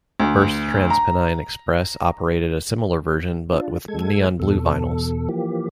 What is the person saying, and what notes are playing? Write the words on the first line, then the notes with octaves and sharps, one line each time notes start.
First TransPennine Express operated a similar version but with neon blue vinyls.
D2
A#5
D4 F4
G#3 A4 G#6
E2 B2 A4
E3 F3 A#3 G4